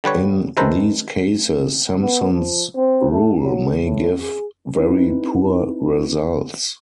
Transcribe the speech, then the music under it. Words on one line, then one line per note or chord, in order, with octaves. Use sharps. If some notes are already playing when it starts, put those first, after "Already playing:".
In these cases, Simpson's rule may give very poor results.
D3 G3 B4 C#5
C3 D#3 A4 B4 C5 A#5
B3
F3
C4
A3
F#3
A2
G#4
C4 D#4 E4 B4